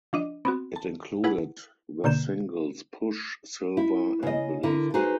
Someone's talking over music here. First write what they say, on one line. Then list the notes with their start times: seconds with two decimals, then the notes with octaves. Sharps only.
It included the singles "Push", "Silver" and "Believe Me".
0.13 F3 D4 D#5
0.45 B3 C4 F#4
0.76 A5
1.24 E4 G#4 B4 F#5
2.04 B2 D3 A#3 G6 E7
3.77 E4
4.23 C#3 D#5
4.63 D3 E4 A#4
4.94 D#4 F#4 G#4 B4 C5